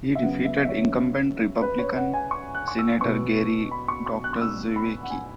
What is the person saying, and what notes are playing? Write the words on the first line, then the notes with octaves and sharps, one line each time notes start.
He defeated incumbent Republican Senator Gary Drzewiecki.
E5
C#3 F#3 B3 F#5
E5
E5
C#5
B4
C#5
F#5
G#5
C#6
F#6
C#6
E6
B2 B3 C#6
B5
C#6
C#6
F#6
C#6
E6
B5
F#5
G#5